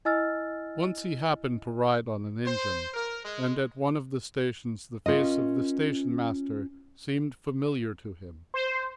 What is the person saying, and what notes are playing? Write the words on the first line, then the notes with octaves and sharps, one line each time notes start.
Once he happened to ride on an engine, and at one of the stations the face of the station-master seemed familiar to him.
E4 D#5 G#5 E6 F6 A6
C5
A#4
G#3
C#4 F4 A#4 D#5
C5